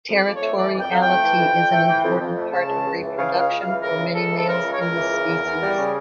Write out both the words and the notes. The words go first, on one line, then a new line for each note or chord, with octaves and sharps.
Territoriality is an important part of reproduction for many males in this species.
F2
D5
F2
C#5
A3
E3 D5
F2
G5
F2 F5
G5
A3
E3
F2
F2
A3
E3
F2
F2
A3
C#3 A5
C#2
C#2
E3
C#3 F5
C#2
F5
C#2
F5
E3
C#3 A#4
C#2
C#2 A4
E3
A4
C#3 A#4
C#2
C#5
C#2 A#4
E3
C#3
E2
E2
G3
C#3